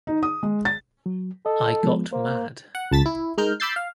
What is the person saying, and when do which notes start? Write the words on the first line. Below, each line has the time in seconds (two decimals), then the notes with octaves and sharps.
I got mad.
0.07 D#4
0.23 D#6
0.43 G#3
0.65 A6
1.06 F#3
1.46 A4 D#5
1.83 F3 G#3 B3
2.13 A#3 C5
2.75 F#5
2.91 C#2 A5 A6 B6
3.06 E4
3.38 G#3 D#4 A#4 F6 G6
3.60 B5 D6 E6 G6 A6 C7
3.76 F5